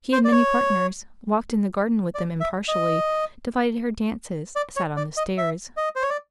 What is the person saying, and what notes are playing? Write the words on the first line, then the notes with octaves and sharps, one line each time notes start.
She had many partners, walked in the garden with them impartially, divided her dances, sat on the stairs.
C5
D5
C#5
D5
E5
D#5
D5
C#5
D5
D#5
E5
D#5
C5
C#5
D5